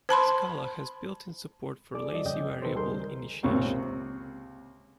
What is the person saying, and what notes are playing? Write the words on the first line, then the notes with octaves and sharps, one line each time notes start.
Scala has built-in support for lazy variable initiation.
C5 A5 B5 C6
G#4 A4 D5 D6
F3 G3 D5 D#5
F2 C#3 C#4 D#5 G5 G6
D#3 A4 B4 C5
C#2 G3 G#4 A#4 C6 G6
C#2 C3 A#3 C4 C#6